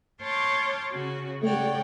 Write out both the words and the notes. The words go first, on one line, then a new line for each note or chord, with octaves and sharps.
Oh, yeah.
C#5 A5 C6 D6 F6 G6
C#3 C#4 F#4
C#3 C#5 D5 F#5 G5